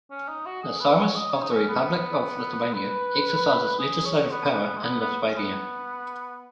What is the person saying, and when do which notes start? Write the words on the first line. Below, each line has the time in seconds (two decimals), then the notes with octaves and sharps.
The Seimas of the Republic of Lithuania exercises legislative power in Lithuania.
0.11 C#4
0.28 D#4
0.46 F#4
0.63 G#4
0.80 B4
0.98 C#5
1.16 D#5
1.33 C#5
1.42 D#4
1.51 C#4
1.69 B3
2.74 B4
3.79 G#4
4.06 C#5
4.31 B3
4.49 B3
4.66 B3
4.78 G#3
4.84 B3
5.01 B3
5.28 C#4
5.37 B3